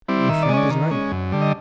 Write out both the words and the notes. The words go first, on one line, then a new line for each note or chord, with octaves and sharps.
The friend is right.
G3 C4 E4
D#3 E5
D5
G#3 C#4 D5 D#5
D#3
G#3 C#4
F#2
D3 G3
D#5